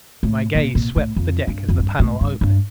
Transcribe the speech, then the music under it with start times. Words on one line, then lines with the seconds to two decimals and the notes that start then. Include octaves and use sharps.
My gaze swept the deck as the panel opened.
0.23 A2
0.55 A#2
0.75 A#2
0.96 A2
1.16 F2
1.47 G2
1.69 F2
1.79 G2
1.99 A2
2.21 G2
2.41 G2